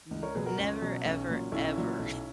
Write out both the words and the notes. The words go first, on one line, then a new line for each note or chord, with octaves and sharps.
n never ever, ever
C#2
A#4 C#5
B2 F#3 G#4 B4
F#4 A#4
C#2 C#4
B2 F#3
B1 C#4
A#2 F#3
B1 C#4 E4
A#2 F#3
B1